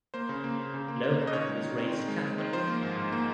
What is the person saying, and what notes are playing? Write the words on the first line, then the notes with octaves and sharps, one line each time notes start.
Lohan was raised Catholic.
A#3 C5
C#3
A#3
C#3
C#3
A#3
A#3
C#3
D#5
D#3 C#5
G#3
D#3
C4
D#3
G#3
G#3
D#3
F3 C5
A#3
G#2
G#2
A#3